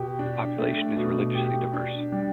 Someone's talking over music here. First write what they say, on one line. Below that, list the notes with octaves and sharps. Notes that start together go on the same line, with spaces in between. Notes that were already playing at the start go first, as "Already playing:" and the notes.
The population is religiously diverse.
Already playing: B2 G4
D4
A3
B2
G4
D4
G3